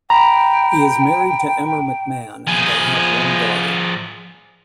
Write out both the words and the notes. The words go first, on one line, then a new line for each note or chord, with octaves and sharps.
He is married to Emer McMahon and they have one daughter.
G5 A#5 B5
F3 G#4